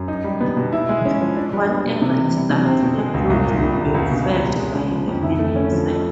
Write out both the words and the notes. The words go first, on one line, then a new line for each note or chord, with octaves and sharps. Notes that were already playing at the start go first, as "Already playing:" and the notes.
Whatever is done to the clothes will be felt by the man himself.
Already playing: F#2
D#4
G3
B3
B2
E4
G#3
C#4
F3
D4
G3
B3
B2
C3
E3
G3
C3
C4
B2
G#3
C#2
C2
A#2
G3
C2
C#2
B2
G3
C#2
G#3
C#3
F3
F2
E4
A3
C#4
F3